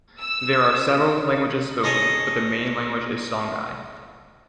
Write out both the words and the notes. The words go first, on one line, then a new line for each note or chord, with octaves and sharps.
There are several languages spoken, but the main language is Songhay.
E6
D#4 G#4 A4 C#5 D#5